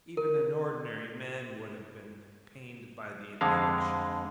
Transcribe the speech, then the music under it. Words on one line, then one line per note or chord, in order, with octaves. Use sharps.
Even an ordinary man would have been pained by the infliction.
A#4
F2 D3 G#3 F5